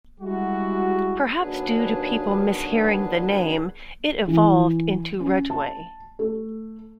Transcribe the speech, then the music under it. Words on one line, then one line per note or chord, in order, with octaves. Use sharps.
Perhaps due to people mishearing the name, it evolved into Rudgeway.
G3 G#3 E4 F#4
D#2 F#3 D4 G#4 B4
E3
C#4
A5
A3